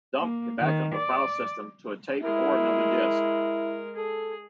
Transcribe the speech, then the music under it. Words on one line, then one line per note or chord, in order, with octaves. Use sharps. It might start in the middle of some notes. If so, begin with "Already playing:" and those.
Dump can back up a file system to a tape or another disk.
A#3
D#3
D5
G#3 E4 A#4
G#4 A4